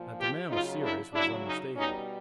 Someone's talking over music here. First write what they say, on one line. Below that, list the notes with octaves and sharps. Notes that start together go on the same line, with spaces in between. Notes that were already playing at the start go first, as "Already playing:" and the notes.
That the man was serious was unmistakable.
Already playing: A#2 F3
F4 G4
C#3 F#3 D#4 F4
D4 E4
C#3 F#3 D4 E4
C#4 D#4
B2 G3 C#4 D#4